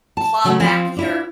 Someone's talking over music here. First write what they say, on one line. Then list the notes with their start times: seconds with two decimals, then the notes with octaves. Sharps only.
claw back your
0.17 A5
0.44 C#3 F#3 A3
0.60 F3 C4
0.96 D4 E4 F4